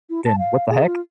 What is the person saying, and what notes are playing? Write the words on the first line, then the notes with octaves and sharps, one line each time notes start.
then, "What the heck?"
E4
A5
F5
G#4
F4